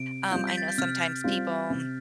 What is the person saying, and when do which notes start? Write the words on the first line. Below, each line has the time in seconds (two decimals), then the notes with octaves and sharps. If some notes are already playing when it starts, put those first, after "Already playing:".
um, I know sometimes people,
Already playing: C3 D7
0.31 G3 C4 F4 G6
0.47 B6
0.57 A6
0.68 G6
0.78 C3 F6
1.24 G3 C4 F4
1.70 C3